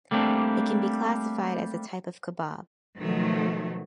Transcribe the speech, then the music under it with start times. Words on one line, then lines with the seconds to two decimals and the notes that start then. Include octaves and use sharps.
It can be classified as a type of kebab.
0.11 G3 A3 A#3 C4 D4
2.98 B2 D#3 F3 F#3 A3